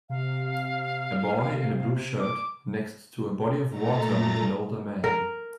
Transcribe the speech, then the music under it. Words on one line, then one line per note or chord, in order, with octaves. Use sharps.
A boy in a blue shirt next to a body of water with an older man.
C3 F5
C3
D6
A#2 A3 A#5 A6
A#4